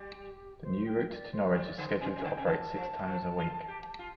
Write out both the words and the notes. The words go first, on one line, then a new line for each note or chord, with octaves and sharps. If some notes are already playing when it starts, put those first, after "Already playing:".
The new route to Norwich is scheduled to operate six times a week.
Already playing: G3 G4
C5
G5
F5
D5
C5
G3 F5
D5
D3 C5
C3 C5
C3
D3 G5
C3
D3 A5
F3
F3
F4
G4
F4